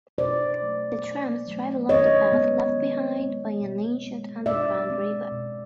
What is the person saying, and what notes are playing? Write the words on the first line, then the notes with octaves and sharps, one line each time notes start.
The trams drive along the path left behind by an ancient underground river.
B2 C5 D5
F#3 A3
B2
F#3 A3
D#3 C#5 D#5
G#3 B3
D#3
G#3 B3
B2
G#3 C4
B2 D5 E5
G#3 C4
B2